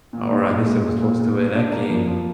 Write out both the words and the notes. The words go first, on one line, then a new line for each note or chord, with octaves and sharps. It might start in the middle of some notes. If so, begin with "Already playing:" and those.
or at least it was close to it. That game
A#2
D#4
A#2
G#3
A#2
A#2
A#2
A#2
D4
A#3
F3
F3